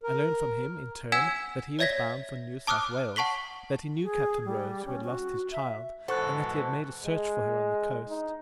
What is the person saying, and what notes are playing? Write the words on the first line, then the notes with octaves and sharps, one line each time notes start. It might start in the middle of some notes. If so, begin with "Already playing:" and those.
I learned from him, in turn, that he was bound for New South Wales; that he knew Captain Rose, who had lost his child, and that he had made a search for her on the coast.
A#4
F#5 G#5 E6 G#6 B6 E7
C#5 D5 E5 G#6 A#6 B6
A5 D6 D#6 F6 F#6
F#5 A5 C#6 B6 G7
G#4
G3
C#4
F#4
E5
G#2 B2 E3 A4 C5 F#5 C#6 F#6
G#3
D#4